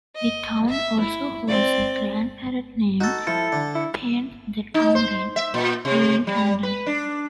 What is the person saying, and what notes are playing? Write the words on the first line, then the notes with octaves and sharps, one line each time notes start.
The town alsoholds a grand parade named "Paint the Town Red" during Canada Day.
D#5
E5
E4
C4 D5
D#4 F#4 A4
F3 E4 A4
D3
E4
D#4
C5
E5
A#2
C3
G3
B4
D4